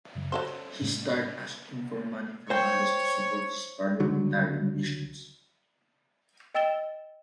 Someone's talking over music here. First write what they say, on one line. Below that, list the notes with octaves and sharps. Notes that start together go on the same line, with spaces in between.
He starts asking for money from Alice to support his parliamentary ambitions.
F#2 C#3 F#3
F#3 C#4 A4 C5
A2 G#3 A#3
C5 C#5 G5
C#2 D3 F#3
D#5 G5 E6 A6 E7 G7